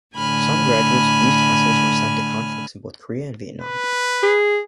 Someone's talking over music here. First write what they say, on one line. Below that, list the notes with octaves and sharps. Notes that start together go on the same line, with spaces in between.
Some graduates of these classes were sent to conflicts in both Korea and Vietnam.
A2 D3 G#5 B5 F6
B4
G#4